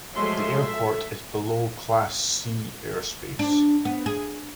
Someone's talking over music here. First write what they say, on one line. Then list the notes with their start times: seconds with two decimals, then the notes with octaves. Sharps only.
The airport is below class C airspace.
0.15 F3 F#3 G#3 A3 E5 C6
0.60 A4 E5
3.39 D4
3.85 B3
4.06 G#4